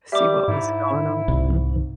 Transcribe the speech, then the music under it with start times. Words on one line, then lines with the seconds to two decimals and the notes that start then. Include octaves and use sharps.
See what was going on. Mhm.
0.12 G3 E5 D6
0.48 G#2 E4
1.28 C2